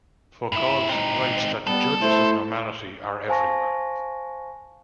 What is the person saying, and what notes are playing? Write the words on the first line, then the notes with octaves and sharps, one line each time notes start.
Foucault writes that 'the judges of normality are everywhere'.
G2 E4
C4 D#4
G3 B3 A4
A3 E4 C5
C5 F5 G#5 A5 C#6 A#6